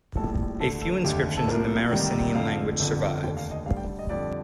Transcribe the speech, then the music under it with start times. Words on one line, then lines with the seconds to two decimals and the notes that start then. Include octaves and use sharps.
A few inscriptions in the Marrucinian language survive.
0.17 A#1 A2 G3 A4
0.60 D2 D3 A3 A4
0.82 A4
1.04 F1 D#2 D3 G4
1.37 A4
1.48 C2 A#2 F3 A#4
1.91 D2 C3 D#3 G3
2.35 F2 D3 A3 F5
2.79 G1 F2 D3
3.22 F1 D#2 D3 G5
3.37 F5
3.51 D#5
3.66 D2 D3 G3 F5
3.77 G5
3.99 D#5
4.09 F2 D3 G3 D5